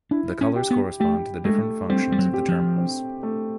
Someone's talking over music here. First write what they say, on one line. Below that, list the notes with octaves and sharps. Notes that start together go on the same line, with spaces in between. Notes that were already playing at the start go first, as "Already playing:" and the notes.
The colors correspond to the different functions of the terminals.
D4 E4
C#4
G4
B3
A3 G4
G#3 A3
G3 C4
G3
F#3
G4
F3
C4
A3